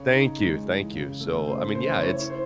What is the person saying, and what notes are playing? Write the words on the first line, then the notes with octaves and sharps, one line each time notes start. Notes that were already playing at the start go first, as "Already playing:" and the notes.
Thank you, thank you, so, I mean, yeah, it's
Already playing: C#3 C#5
D#4
G#3
E3
C#3
A3
C#3 C5
C#3 C5
E4 C#5
E4 C5